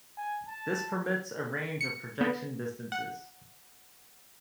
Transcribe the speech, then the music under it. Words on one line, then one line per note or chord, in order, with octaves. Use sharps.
This permits a range of projection distances.
G#5
A5
C#7
B3
F#5